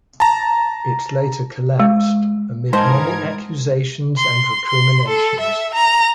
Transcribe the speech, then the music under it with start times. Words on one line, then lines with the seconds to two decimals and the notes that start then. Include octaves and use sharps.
It later collapsed amid many accusations and recriminations.
0.20 A5 A#5
1.80 G#3
2.73 G#2 E3 G#3 A#4 C5 D#5 A5 G#6
4.18 C6
4.67 C6
5.08 A4
5.40 E5
5.75 A#5